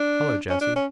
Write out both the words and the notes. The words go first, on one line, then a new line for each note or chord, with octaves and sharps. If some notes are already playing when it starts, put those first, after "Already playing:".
"Hello, Jesse."
Already playing: D4
C#4
D4
C#4